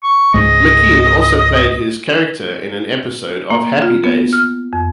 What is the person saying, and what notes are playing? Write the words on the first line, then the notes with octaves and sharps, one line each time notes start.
McKean also played his character in an episode of "Happy Days".
C#6
C#2 G#2 G#3 D#5
A#3
F4
B3
F6
F2